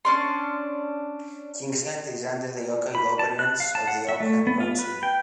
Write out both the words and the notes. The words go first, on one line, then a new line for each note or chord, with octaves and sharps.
Kingsland is under the local governance of the Auckland Council.
C#4 D4 C6
B5
A5
F#6
F5
A5
F#5
E5
A3
B3
F4
B4
G5